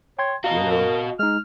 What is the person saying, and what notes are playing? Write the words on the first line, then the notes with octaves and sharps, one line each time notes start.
You know?
C#5 G5 C6 G#6
F#4 D#5 F5 A#5
A#4
G#3 D#4 F6